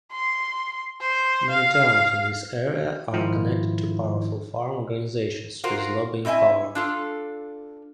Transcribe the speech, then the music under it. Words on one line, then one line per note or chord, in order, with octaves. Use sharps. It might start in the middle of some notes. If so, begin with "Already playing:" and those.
Many towns in this area are connected to powerful farm organizations with lobbying power.
C6
C5
F5
G#2 D#3 F3 E4 F4
F4 F#4 A#4 C5
C4 E4 D#5 E5 G#5
D4 F4 A4